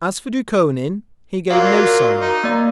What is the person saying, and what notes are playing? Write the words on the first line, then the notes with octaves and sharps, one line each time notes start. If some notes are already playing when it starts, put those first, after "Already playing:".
As for Dukhonin, he gave no sign.
F#3 A#3 F4 F#4 A#4 D5 F5
D#4
A#3 D5